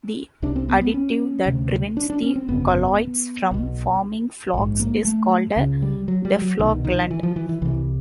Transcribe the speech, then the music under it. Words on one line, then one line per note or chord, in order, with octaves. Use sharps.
The additive that prevents the colloids from forming flocs is called a deflocculant.
C2 C3 D4
C4
B3
B3
C#4
D2 C3
D4
D4
C#4
C4
G1 F2 C#3 B3
B1 B2
A#1 G#2
A#3
A3
C#2 C#3
G3
F#3
G3
F#3
C2 B2 D#3
D#3
E3
F3
E3
E3
C2 C3 E3